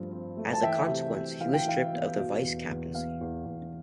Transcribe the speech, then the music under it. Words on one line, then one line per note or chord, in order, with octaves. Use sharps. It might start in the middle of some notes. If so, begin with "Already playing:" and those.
As a consequence, he was stripped of the vice-captaincy.
Already playing: G2 F3 A3
C4
A3
A5
E3 E5 G5
C3
C3
E3 F5
G5
E3 F5
B3
B2
E2
E2
B3 F5
E2
E2